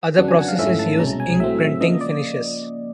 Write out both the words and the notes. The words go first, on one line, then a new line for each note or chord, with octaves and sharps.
Other processes use ink printing finishes.
F2 C#3 F#3 B3 D4 F#5
G#5
F#5
F5
G#2 F3 A3 C#4 E4 E5
A5
C2 B2 G#3 C#4 A#5
G#5
A2 F#3 A3 C4 E5
E5
C#3 F3 A#3 D#5
D5